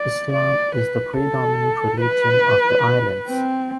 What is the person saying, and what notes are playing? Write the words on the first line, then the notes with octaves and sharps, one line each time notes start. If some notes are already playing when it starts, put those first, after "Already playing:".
Islam is the predominant religion of the islands.
Already playing: D5
D5
B4
A4
B4
C4